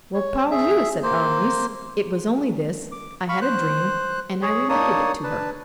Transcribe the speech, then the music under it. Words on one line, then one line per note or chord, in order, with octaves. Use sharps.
"Well, pardieu!" said Aramis, "it was only this: I had a dream, and I related it to her."
C#5
G#4 E5
A#3 C5
D6
F5 B5 C#6
C5 F#6
G#4 C#5
A#3 D4 D#4 C#5 A5 D#6
D4 B4 A5